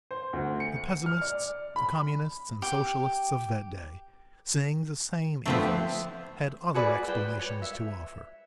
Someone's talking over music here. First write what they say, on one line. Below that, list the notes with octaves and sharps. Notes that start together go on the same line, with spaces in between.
The pessimists--the communists, and socialists of that day--seeing the same evils, had other explanations to offer.
C5
D2
C#7
F6
D5
B5
G4
D3 F3 A3 B3 C4 G4
F#4 G#4 B4 D5
B4 C5 G5
C#5
E5